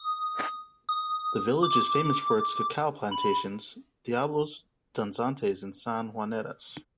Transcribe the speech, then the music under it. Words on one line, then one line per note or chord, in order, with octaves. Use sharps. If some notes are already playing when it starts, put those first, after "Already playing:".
The village is famous for its cacao plantations, Diablos danzantes and San Juaneras.
Already playing: D#6
D#6
D6
B5